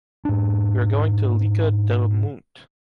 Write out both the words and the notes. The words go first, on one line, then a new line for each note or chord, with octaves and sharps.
We are going to Lliçà d’Amunt.
G#2 D4